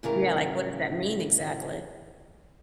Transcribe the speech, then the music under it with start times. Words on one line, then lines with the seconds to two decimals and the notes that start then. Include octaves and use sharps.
Yeah, like what does that mean exactly?
0.03 A2 C#3 E3 A#4